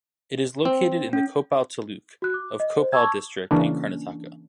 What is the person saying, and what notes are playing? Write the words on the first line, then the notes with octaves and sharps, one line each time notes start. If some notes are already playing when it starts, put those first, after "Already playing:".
It is located in the Koppal taluk of Koppal district in Karnataka.
C4
C#4
F#4 F#6
D6
D#5
C5
A5 C#6 D6 E6 G#6
C#3 E3 A#3 C#4 D4